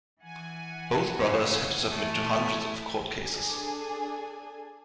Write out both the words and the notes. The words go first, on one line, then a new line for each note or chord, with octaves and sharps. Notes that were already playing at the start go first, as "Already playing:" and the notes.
Both brothers had to submit to hundreds of court cases.
E3 F#5 G#5
C#3
E3 A3 E4
D4 G#4 A4 G#5